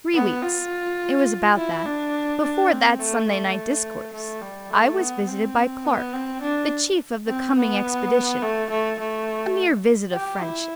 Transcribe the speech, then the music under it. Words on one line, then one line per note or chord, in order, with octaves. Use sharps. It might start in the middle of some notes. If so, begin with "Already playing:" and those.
Three weeks--it was about that--before that Sunday night discourse, I was visited by Clark, the chief of the coming expedition--a mere visit of friendship.
B3
F4
E4
D4
D4
C4
A3
A3
A3
G3
A3
B3
C4
B3
C4
D4
C4
B3
A3
A3
A3
G4
E4